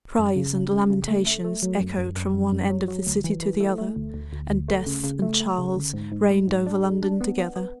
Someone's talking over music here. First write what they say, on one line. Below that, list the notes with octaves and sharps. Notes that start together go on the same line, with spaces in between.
Cries and lamentations echoed from one end of the city to the other, and Death and Charles reigned over London together.
F#2
C#3
C#3
C#3
C#3
A3
A3
A3
F#3
F#2
F#2
F#2
F#2
F#2
F#3
F#3
D2
E3
E3
A3
A3
D2
D2
D2
D2
A3
C#3
C#3
A3
A3
C#3
D2
G#2
G#2
G#3
G#2
D4
G#3
D4
B3
B3
B3